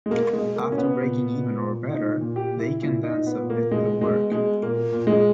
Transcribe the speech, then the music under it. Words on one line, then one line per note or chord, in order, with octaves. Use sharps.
After breaking even or better, they can then submit their work.
G#3
B2 A#3
G#3
B2
A#3
B2 C#4
B3
A#2
A#2
A#2
A#2 D#4
A#2
G4
A#2
E4
A#2 E4
D#4
A#2
B3
A#2
A#3
B2 G#3
B2 G#3
B2 G#3
A#2 A#3
A#2
G#3